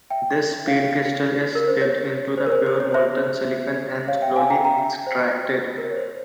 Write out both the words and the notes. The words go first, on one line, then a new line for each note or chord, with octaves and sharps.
This seed crystal is dipped into the pure molten silicon and slowly extracted.
E5 G5
C#5 F5
A#4
C5
C#5
C5
A#4
C5
C5
C#5
C5 E5
C#5 F5
E5 G5
F5 G#5
G5 A#5
G5 A#5
E5 G5
C5
A#4
C#5
C5